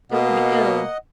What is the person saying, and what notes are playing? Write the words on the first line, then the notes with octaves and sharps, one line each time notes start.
It will be ill.
B2 A#3 D#5 F#5